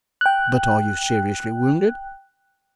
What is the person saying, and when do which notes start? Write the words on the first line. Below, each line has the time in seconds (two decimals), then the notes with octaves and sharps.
But are you seriously wounded?
0.21 G5 F#6